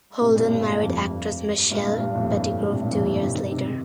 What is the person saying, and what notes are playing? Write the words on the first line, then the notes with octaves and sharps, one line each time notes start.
Holden married actress Michelle Pettigrove two years later.
A2 C3
G2 A#2
G2
F2
G2
G2 A#2
G2 A#2
G2 A#2
F2 A2
G2
G2 A#2
A2 C3
G2 A#2
F2 A2
G2
C3 D#3
C3 D#3
C3 D#3